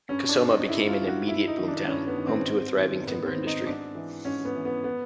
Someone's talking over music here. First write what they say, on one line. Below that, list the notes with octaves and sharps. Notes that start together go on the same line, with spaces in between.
Kosoma became an immediate boomtown, home to a thriving timber industry.
G2 C#4
D4
D3
D#4
G2 E4
F4
D3
F#4
G2 E4
D#4
D#3
D4
G2 C#4
B3
D#3
C4
G#2
D#3
G#2 B3
C4
D#3
D#4
G#2 D4
E3
G#2 C#4
B3
E3
B3
B3